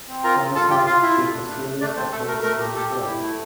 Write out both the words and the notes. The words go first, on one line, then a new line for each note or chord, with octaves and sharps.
Froissart took a serious approach to his work.
C4
F4 A#4 A#5
F4
F4 A4 A5
F4 G4 G5
F4 F5
E4 F4 E5
A3
D4
A3
A3
A3 D4 D5
A3 C4 C5
A3 A4
A3 A#4
A3 A#4
G4
G4 A4
G4
E4
A3